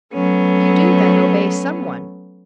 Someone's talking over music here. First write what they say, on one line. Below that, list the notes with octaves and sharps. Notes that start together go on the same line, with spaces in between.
"You do, then, obey some one?"
F#3 A3 B3 C#4